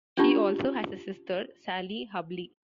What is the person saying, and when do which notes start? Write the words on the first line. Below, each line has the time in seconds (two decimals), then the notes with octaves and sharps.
She also has a sister, Sally Hubley.
0.17 C#4 D4 F4 G4 A5